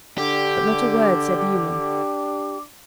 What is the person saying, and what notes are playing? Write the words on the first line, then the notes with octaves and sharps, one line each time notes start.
But not a word said Newman.
D3 D4 G4 D6